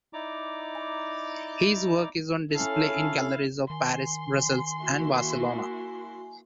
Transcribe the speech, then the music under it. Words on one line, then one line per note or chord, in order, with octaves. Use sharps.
His work is on display in galleries of Paris, Brussels and Barcelona.
D#4 E4 D5 A#5 D6
C#4 E4 A4 F5
D#3 G#5 C6
A#3 E4 F#4